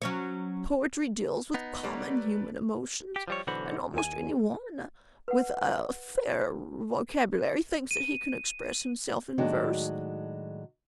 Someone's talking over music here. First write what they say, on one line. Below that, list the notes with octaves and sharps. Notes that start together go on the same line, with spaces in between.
Poetry deals with common human emotion, and almost any one with a fair vocabulary thinks that he can express himself in verse.
F#3 C#4 C#5
B3 D#4
G3 A3 A#3 B4 C#5 D5
G4
F3 G3 C#5
B1 D3 E3 F#4 C5 B5
D#2 G#5
B4 F#5
D#7
A2 D#3 F#3 G#3 D4 F#4